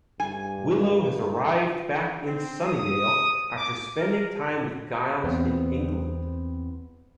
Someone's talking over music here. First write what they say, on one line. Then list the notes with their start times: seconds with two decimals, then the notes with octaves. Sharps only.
Willow has arrived back in Sunnydale after spending time with Giles in England.
0.20 G2 G#5
2.25 C4
2.67 D#6
3.57 D6
3.99 A#4
5.23 E2 B3 C4